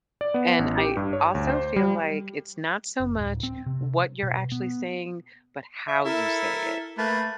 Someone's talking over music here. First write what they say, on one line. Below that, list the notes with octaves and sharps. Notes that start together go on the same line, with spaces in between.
And I also feel like it's not so much what you're actually saying, but how you say it.
D5
B3
A1
G4
G2
C#5
D2
C5
G3
F#1
D1
C4
C3
B2
B3
E5
E4 A4 A#4 E5
A3 A#3 B4